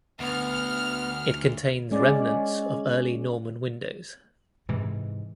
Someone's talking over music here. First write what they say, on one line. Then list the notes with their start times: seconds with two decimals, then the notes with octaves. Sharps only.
It contains remnants of Early Norman windows.
0.20 D2 B3 F6
1.91 G#3 C#4 D5
4.69 G#2 C3 E3